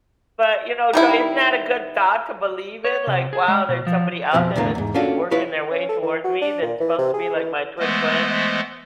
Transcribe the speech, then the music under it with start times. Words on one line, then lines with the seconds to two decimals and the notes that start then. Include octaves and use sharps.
but, you know, isn't that a good thought to believe in, like, wow, there's somebody out there that's working their way towards me that's supposed to be, like, my twin flame.
0.93 D#3 G3 E4
2.84 C#5
3.07 C3
3.33 G#4
3.48 G#3
3.69 B2
3.87 F3
4.33 F2 B2 F3 C4 C5
4.56 E2 A2 D3 A#3 B3
4.75 E2 G#2
4.94 A#3 C#4 D4 F4 F#4 A4
5.31 E4 F4 G#4 B4 C#5
5.71 C#4
5.89 A4
6.02 E3
6.24 F#4
6.41 D4
6.62 A#2
6.80 E3
6.98 C3
7.13 G#4
7.35 E3
7.79 E3 G#3 A3 B3 C5 D#5